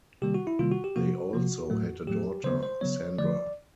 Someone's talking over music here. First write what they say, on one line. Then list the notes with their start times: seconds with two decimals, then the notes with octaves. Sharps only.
They also had a daughter, Sandra.
0.22 C3 D#3 G3 A#3 G4
0.34 F#4
0.47 E4
0.59 C3 D#3 G3 A#3 F4
0.72 F#4
0.84 G4
0.96 C3 F3 A#3 F#4
1.33 C3 F3 A#3
1.70 A2 F#3 A3
2.07 A2 F#3 A3 G4
2.44 C#3 F#3 B3 C5
2.63 C5
2.81 C#3 F#3 B3 C#5
3.18 D3 F3 A3 D5